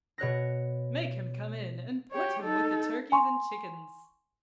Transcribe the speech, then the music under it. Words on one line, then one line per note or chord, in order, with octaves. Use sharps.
Make him come in, and put him with the turkeys and chickens.'
B2 C#5 F#6 A#6
G4 C#5
D#4 A4
G#5 C6 C#6